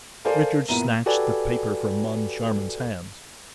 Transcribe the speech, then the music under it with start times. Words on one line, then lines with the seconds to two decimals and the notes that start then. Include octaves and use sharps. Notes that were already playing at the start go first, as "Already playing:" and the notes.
Richard snatched the paper from Moncharmin's hands.
0.25 A4 A#4 C5 D5 F5 G#5
0.69 A#2 B3 E4 A#5 D#7
1.06 F#4 G4 A4 B4 D5 G#5